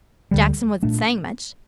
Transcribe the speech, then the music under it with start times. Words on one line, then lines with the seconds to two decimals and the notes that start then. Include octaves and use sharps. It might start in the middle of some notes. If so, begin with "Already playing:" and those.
'Jackson wasn't saying much.
0.31 D2 D3 G3
0.83 A#2 A3 D4